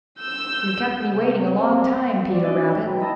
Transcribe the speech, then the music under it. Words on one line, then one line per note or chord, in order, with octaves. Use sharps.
You've kept me waiting a long time, Peter Rabbit.
E6 G6
C3
C4
C#4 D5
D#4 F#4 D#5
G5
B2 F#3 G#3
E4 D#5 A5 B5